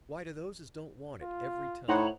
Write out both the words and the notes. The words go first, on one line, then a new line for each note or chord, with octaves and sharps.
Why, to those as don't want it, every time.
F4
A2 D#4 C5 C#5 F#5 A#5 B5